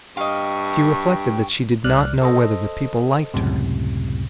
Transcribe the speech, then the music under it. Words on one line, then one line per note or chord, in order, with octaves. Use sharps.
She reflected that she did not know whether the people liked her.
G2 D#5 F5 G5 C#6
C2 D5 F6 F#6
A4 C5 D#5
C#2 F#2 A2 C3